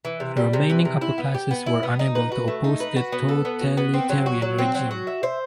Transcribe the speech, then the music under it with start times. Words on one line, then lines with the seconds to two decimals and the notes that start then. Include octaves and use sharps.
The remaining upper classes were unable to oppose the totalitarian regime.
0.05 E3
0.20 C3
0.37 G3
0.53 C3
0.70 E3
0.85 C3
1.01 E4
1.18 B3
1.34 G4
1.51 B3
1.66 E4
1.83 B3
1.99 D#4
2.15 B4
2.32 F#4
2.48 A3
2.64 D#4
2.80 B4
2.96 F#4
3.13 B3
3.29 A4
3.45 B3
3.61 F#4
3.77 B3
3.94 C4
4.10 F#3
4.26 F#4
4.42 F#3
4.58 C4
4.75 F#3
4.91 F#4
5.07 E5
5.23 C5